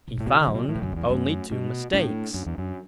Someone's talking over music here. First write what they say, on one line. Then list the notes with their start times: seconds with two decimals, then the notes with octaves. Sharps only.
He found only two mistakes.
0.08 B2
0.17 A2 D3
0.26 B2 E3
0.41 D3
0.47 F#3
0.54 B2
0.68 A2
0.75 B2
0.82 F#2 D3
0.92 E3
0.96 E2
1.01 F#3
1.09 F#2 A3
1.52 B2
1.93 A2 D4
2.34 F#2
2.46 E2
2.58 F#2